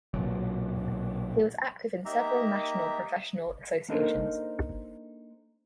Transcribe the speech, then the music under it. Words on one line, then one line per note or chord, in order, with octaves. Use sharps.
He was active in several national professional associations.
B1 A#2 F#3
A#3 D#4 G4 E5 A#5
A#3 D4 D#4 A4 A#4 C5